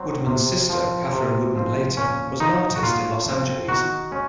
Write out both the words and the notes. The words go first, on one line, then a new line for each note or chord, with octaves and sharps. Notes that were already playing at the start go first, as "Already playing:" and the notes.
Woodman's sister, Kathryn Woodman Leighton, was an artist in Los Angeles.
Already playing: F#3 C4
C3
F3 C4
C3
F3 C4
A#2 C#4
F3 C4 D#4
F#4
A#2 F4
F3 C4
D#3 F#4
G#3 C#4